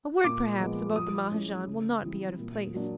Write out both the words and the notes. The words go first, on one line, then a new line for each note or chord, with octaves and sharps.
A word perhaps about the Mahajan will not be out of place.
A#2 D6
F3 G#3 B3
F3 D#6
G#3 C#4 E4
C#3
E3 G3 C4 E4
A#2
F#3 A#3 D4